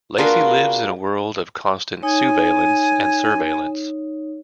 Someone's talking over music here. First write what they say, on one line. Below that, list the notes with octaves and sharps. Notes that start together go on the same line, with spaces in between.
Lacey lives in a world of constant sousveillance and surveillance.
A#3 D4 F4 F#4 G#4 B4
D#4 C#5 G#5